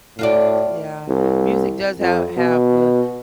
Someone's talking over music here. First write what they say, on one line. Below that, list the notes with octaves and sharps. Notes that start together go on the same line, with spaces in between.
Yeah. Music does ha have the
A2 F4 F#4 D5
C2
F2
B2